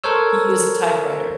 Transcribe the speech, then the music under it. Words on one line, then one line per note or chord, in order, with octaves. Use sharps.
he used a typewriter.
A4 A#4 C5 C#5 E6